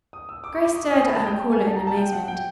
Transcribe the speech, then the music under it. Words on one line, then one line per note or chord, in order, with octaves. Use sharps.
Grace stared at her caller in amazement.
D#6
E6
D6
C#6
D6
D#6
D#6
B5
A5
G5
G#5
A5
A#5
A5
G5
F#5
G5